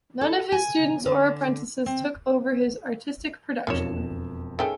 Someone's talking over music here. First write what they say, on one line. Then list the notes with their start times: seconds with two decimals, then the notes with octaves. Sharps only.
None of his students or apprentices took over his artistic production.
0.21 A4
0.52 G#5
1.06 D3
1.86 C4
3.67 E1 F2 D#3 G3 C#5 E7
4.59 D#3 A3 C#4 G#4 G5